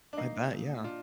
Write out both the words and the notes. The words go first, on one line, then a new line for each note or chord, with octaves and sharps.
I bet, yeah.
D4
A#3 D#4
A#2
D4 F4